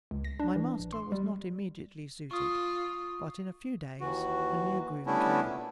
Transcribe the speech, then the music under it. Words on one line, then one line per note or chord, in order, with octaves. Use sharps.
My master was not immediately suited, but in a few days my new groom came.
C#2
A#6
D4
E3
A#1
C6
G3
F4 C#6 D#6
D#2 E3 F#4
G3 A3 B3 C#4 D4 E4
A#2